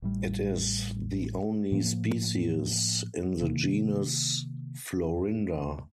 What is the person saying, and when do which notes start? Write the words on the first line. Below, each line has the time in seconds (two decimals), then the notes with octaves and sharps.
It is the only species in the genus Florinda.
0.02 A1 A2 G3
1.72 A2 F3 A#3
3.41 C3 D#3 A#3